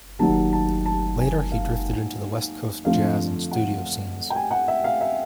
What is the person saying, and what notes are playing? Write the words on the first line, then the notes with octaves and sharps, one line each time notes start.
Later, he drifted into the "West Coast Jazz" and studio scenes.
D#2 D#3 F#3 A5
A5
A5
G#5
F5
F2 D3 F3 A3 F5
F#5
G5
G#5
F#5
E5
F5
E5